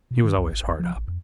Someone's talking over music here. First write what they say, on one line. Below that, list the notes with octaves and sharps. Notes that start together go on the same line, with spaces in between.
He was always hard up.
B2
D#3
C2
G#1
G#1
F3
A1
F2